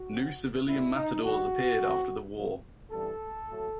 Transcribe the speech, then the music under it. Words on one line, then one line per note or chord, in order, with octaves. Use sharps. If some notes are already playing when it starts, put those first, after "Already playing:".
New civilian Matadors appeared after the war.
Already playing: F#4
D#2 D#3 F#3 C4
A2 G3 B3 E4
D#4
D#2 D#3 G3 F#4
A1 A2 E3 A3 C4
C2 C3 F#3
A1 G2 E3 G3 A4
A2 F#3 A3